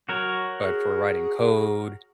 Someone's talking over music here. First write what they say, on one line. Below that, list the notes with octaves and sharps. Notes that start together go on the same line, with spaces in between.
but for writing code,
F#3 F#4 A#4 C#5
G#4